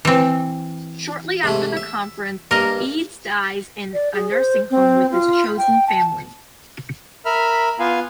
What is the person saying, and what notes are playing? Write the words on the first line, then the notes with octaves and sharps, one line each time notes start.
Shortly after the conference, Eads dies in a nursing home with his chosen family.
E3 C4
G#2 C3 A3
E5
G2 A#3 A#4 D#5
D5
G#4
C5
C4
F4
G5
A5
A#4 E5 B5 F6
B3 F4 F5 G#5